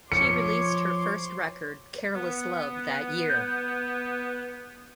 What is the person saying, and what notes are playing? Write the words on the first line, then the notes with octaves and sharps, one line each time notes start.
She released her first record "Careless Love" that year.
F3 C#5 C6 D6 C#7
B3
G6